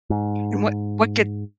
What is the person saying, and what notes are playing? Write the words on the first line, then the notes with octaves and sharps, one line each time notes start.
And what what could
G#2